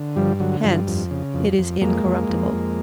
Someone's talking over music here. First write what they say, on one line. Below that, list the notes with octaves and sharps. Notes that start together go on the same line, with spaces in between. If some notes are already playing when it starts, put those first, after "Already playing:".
Hence it is incorruptible.
Already playing: D3
G2 F3 G3
D3 F#3
G2 F3
F2
C#3
F2
F2
F2 G#3 A#3
F2
F2
F2